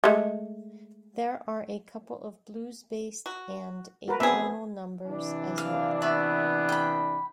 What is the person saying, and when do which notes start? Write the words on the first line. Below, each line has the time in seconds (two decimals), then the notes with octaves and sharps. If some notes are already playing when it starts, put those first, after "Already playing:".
There are a couple of blues-based and atonal numbers as well.
0.04 G#3 A3
3.26 F#4
4.08 F#4 A#4 B4
4.20 B3 C4 D4 G#4 E5
5.06 C3 E3 D4
5.58 F5
6.02 B3 D5 E5 C#6
6.69 G5 B5